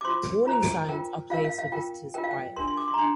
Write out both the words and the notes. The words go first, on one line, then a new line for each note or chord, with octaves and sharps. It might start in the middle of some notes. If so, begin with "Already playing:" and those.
Warning signs are placed for visitors prior.
D6
F4 C5 C6
F4 C5 A#5
F4 A#4 G5
F4 A#4 F5
F5
F5
F4 A#4 G5
F4 A#4 G5
F5
G5
D4 A#4 C6
C6
D6
C6
A#5
D4 C6